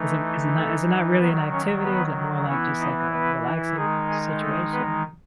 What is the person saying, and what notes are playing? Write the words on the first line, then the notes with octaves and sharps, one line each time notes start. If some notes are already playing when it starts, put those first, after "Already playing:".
Is it is it not is it not really an activity? Is it more like, just, like a relaxing situation?
Already playing: E3 A3 D#4
A3 A4
D#3 F#3 B3 B4
C#4 C#5
B3 B4
E3 B3 C#4 E4 C#5
D#4 D#5
B3 B4
D#3 G#3 D#4 G#4
G#4
A3 A4
B3 B4